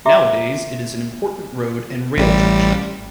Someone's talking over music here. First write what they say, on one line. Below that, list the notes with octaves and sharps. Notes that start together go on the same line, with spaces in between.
Nowadays it is an important road and rail junction.
G4 E5 A#5 D6
A1 G3